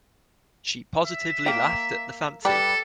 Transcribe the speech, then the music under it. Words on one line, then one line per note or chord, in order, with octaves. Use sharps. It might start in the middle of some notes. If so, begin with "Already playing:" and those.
She positively laughed at the fancy.
E5
A#3 G5
G3 G4 A4 B4